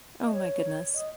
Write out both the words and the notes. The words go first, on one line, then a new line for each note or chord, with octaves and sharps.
Oh my goodness.
D#5
C#5
D#5